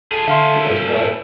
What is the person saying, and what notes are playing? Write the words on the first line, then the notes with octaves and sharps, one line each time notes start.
but that's right.
D1 F4 G#4 A4
D3 C#4 E4 E5 F5 C6
G2